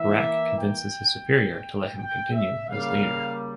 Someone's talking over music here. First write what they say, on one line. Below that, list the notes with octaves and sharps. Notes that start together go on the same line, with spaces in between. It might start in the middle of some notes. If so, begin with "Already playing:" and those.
Brack convinces his superior to let him continue as leader.
Already playing: E3 A#3 E5
G5
G5
E5
C#3 G3 A#3 F5